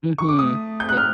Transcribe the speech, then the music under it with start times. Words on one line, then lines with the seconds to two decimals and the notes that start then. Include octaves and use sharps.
Mhm, yeah
0.18 C#6
0.28 D6
0.39 A3 D#6
0.80 G6
0.89 F#6
0.97 F6